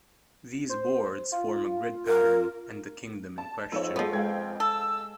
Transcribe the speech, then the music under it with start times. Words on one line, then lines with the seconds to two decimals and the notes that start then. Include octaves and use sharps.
These boards form a grid pattern, and the kingdom in question.
0.69 C5
1.32 F4
2.07 A#4
3.38 A5
3.72 F2 G#2 F3 B3 D#4 C#5 E6
3.96 F3 G#3 B3 B4 C#5
4.13 G#3 F5 G5 G#6
4.60 A4 E6